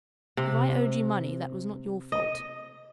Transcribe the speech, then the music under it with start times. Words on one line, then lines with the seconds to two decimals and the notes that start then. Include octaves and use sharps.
If I owed you money, that was not your fault.
0.37 C3
2.12 D#5